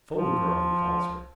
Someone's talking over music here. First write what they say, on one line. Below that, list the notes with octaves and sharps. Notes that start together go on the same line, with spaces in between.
Photo girl he calls her.
F3